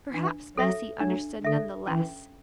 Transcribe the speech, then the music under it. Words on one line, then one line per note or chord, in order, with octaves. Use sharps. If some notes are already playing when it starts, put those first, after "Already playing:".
Perhaps Bessy understood none the less.
E3 D4
F#3 A4 E5
F#3 D4
D3 A4 E5
E3 C#4